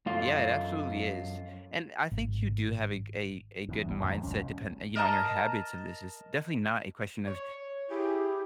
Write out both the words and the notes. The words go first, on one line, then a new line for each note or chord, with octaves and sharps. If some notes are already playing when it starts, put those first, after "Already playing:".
Yeah, it absolutely is, and I think you do have a g a a good mindset depend you know, on your habits this is definitely not a question of
F#2 F4
G#1
E2 G#2
G#1 E2 G2
F2 G#2 D#3 F3
F1 C#2 F#2 C#4
A#4 D#5 A5 A#5
C#5
E4 G4 G#4